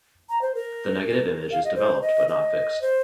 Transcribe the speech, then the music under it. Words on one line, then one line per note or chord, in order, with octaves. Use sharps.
The negative image is developed but not fixed.
A#5
C5
A#4
F5
D#5
C5
D#5
D#5
C5